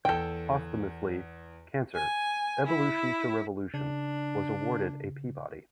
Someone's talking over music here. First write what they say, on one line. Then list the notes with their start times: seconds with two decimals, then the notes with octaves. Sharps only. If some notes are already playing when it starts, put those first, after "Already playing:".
Posthumously, "Cancer: Evolution to Revolution" was awarded a Peabody.
0.05 E2 A4 G5 G6
1.95 G#5
2.66 E4
3.74 C#3 D4